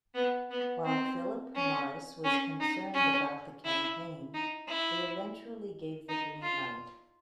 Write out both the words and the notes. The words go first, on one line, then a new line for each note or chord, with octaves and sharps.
While Philip Morris was concerned about the campaign, they eventually gave the green light.
B3
B3
C4
C#4
C#4
D#4
C#4
E4
D#4
E4
D#4
F4